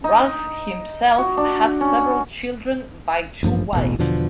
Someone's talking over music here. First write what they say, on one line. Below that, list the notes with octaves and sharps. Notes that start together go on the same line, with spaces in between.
Ralph himself had several children by two wives.
D#4
F#4
D4
C#4
A1 G2 F3
E1 A1 B2
E2 B2 D3 F3